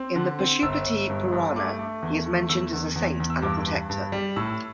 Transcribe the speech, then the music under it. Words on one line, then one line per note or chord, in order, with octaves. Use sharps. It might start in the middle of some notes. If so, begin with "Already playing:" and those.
In the "Pashupati Purana", he is mentioned as a saint and a protector.
Already playing: C4
D3
C4
G1 E6
G1
G2
G2
A3 D6
A3
E2
A3
E2 E6
E2
E2
E2
E6
G2 D6
G2
G2
G3
A2 E6